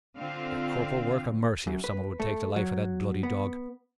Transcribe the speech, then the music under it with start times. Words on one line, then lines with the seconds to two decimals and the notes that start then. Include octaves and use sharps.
Be a corporal work of mercy if someone would take the life of that bloody dog.
0.16 D3 C4 F4 F5
1.67 F#2
1.84 B4
2.20 A3
2.56 F#3
3.23 B3